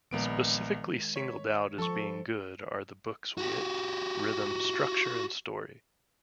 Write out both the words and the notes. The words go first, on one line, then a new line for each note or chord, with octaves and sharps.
Specifically singled out as being good are the book's wit, rhythm, structure, and story.
A#1 D#3 G#3 B3 A#4 D7
C#5 B6
F3 A4 C#6
F#4 G4